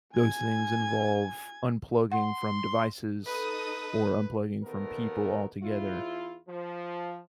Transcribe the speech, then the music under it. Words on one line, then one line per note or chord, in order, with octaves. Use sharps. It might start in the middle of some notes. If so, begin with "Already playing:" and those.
those things involve, unplugging from devices, or unplugging from people altogether,
G#5 G#6
F#5 C6
D#4 A4 B4 D#6
D#2 B2 A3 B3 A#4
E2 E4 F4
F3